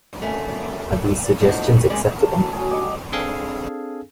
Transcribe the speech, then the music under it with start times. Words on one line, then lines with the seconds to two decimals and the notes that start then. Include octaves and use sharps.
Are these suggestions acceptable?
0.21 D#2 F#3 A3 A#3 C#4 D4
1.40 A2 F3 D4 D#4 F#4
1.90 D#2 G#3 C#4 D5
2.17 A#4 A5
2.37 F#2 A2
2.53 F#3 G#4
2.71 D3 G3 D#5 D6
3.12 C4 D4 G#4 A4 F5 G#5